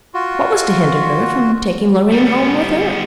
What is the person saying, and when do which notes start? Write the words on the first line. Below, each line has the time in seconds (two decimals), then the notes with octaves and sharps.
What was to hinder her from taking Loreen home with her?
0.14 F4 F#4
2.12 G3 B3